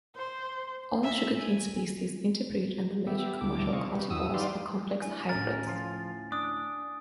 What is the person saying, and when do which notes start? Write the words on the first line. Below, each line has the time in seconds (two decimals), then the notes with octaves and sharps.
All sugarcane species interbreed and the major commercial cultivars are complex hybrids.
0.15 C5
1.03 E5
1.37 G#5
3.07 B3 G4 E5
3.41 D2 A3 E4 D6
3.73 C3 E3 C4 D#5 F5 C#6
3.91 G4 B4
4.10 E2 G2 E3 F#4 D#6 E6
4.34 D#4 G4 B4 D5 F5 C6
5.02 A3 D4 E4 G#5
5.29 D2 A2 C#4 A#4 A6
5.67 F3 F4
6.32 D4 D#6